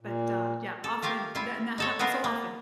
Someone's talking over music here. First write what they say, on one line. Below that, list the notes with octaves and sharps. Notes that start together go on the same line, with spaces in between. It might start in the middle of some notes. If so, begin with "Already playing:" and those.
but, uh, yeah, often, tha and that happens so often,
A#2
A4
A3 F4 G4 A#4 F5
E4 F4
D#4 A4 C#5
B3 D#4 F4 G#4 A#4
A#3